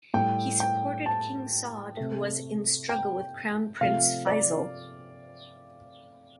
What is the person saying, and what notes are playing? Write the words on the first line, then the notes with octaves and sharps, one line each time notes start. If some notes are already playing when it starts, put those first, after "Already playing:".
He supported King Saud who was in struggle with Crown Prince Faisal.
A2 G3 G5
G5
A5
C3 A3
G5
C3 F3 A3 F5
D5